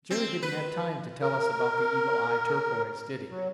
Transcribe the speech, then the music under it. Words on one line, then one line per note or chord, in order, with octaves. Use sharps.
"Jerry didn't have time to tell us about the Evil Eye Turquoise, did he?"
C4
B4
A#4
F#3